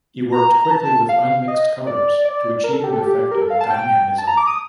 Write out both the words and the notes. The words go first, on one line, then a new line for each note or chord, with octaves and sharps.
He worked quickly with unmixed colors to achieve an effect of dynamism.
A#5
A#5
A5
F5
D#5
D5
D5
A#4
A4
G4
A4
G4
A#4
A4
F5
A5
G5
A5
A#5
D6
D#6